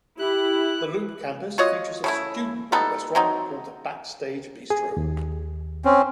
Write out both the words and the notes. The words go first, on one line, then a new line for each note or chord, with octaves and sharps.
The Loop campus features a student-run restaurant called "The Backstage Bistro".
E4 G4 F#6
F4 F#4 C#5 D#5
C#3 A3 E4
G3 B3 D#4 A4
F#3 C4 D#4
G#4
D#2
C4 C#4